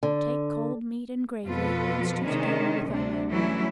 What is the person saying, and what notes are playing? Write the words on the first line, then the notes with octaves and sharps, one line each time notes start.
Take cold meat and gravy and stew together with onion.
D3
F2 B2 F3 F4 A4 B4
C3 D#3 G#3 C#4 D4
D2 C3 D4
E3 F#3 G3 A3 C#4 E4